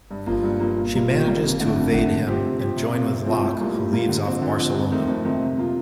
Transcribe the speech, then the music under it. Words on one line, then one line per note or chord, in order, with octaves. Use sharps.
She manages to evade him, and join with Locke who leaves off Barcelona.
G2
F3 A#3 F4
G2
F3 A#3 F4
A#2
G3 A#3 F4
A#2
G3 A#3 F4
F2
D3 A3
F2
D3 A3
C3
F3 C4 G4
C3
F3 C4 G4
C3
F3 C4 F4
C3
F3 C4 F4
A2
G3 A#3 F4
A2
G3 A#3 F4
D3
F3 C4
D3
F3 C4
F2
D#3 A3 C4
F2
D#3 A3 C4
C3
F3 A#3 F4